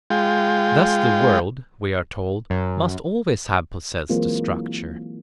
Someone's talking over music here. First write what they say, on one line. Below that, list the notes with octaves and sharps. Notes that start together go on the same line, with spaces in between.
Thus the world, we are told, must always have possessed a structure.
G#3 F4 G5
F#2
E3 F#3 G#3 A#3 C4 F4